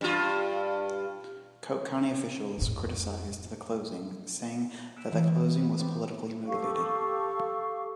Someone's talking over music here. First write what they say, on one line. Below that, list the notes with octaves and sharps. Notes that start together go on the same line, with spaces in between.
Coke County officials criticized the closing, saying that the closing was politically motivated.
G2 F4
F2 A2
E6 F#6 B6 C#7 D7 E7
E3 G#3
B4
A3 B3 C4 G4
G4 A4 F5 C#6